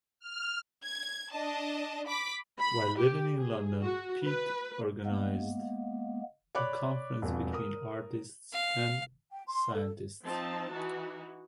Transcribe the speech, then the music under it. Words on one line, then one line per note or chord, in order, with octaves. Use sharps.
While living in London, Peat organized a conference between artists and scientists.
F6
G#6
D4 D#5 A5
B5 D6 B6
B5
G4
G#4
F#4
B4
G#3 A#3 B3
C#5 D5 B5 D6 F#6
E1 F2
A#4 D#6
F5
G5
C6
A4
F3 C4 D#4 A5
E3 D#4 F#4